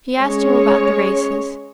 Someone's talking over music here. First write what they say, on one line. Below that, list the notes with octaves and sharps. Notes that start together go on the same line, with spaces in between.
She asked him about the races.
G#3 C#4 C#5